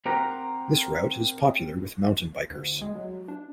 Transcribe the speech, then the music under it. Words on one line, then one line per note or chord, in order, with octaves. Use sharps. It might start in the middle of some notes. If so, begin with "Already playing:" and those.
This route is popular with mountain bikers.
C4 G4 A#4 C5 F#5 A#5
D2
G#3
F#3
D4